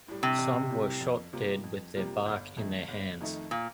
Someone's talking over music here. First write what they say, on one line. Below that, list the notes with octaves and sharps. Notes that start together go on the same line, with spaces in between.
Some were shot dead with their bark in their hands.
A2 G3
C3
A1
A2 G3
F2
C3 G3 A#3 F4
F2
C3 G3 A#3 F4
G1
F2 D#3 A3 D#4
G1
F2 D#3 A3 D#4
A#2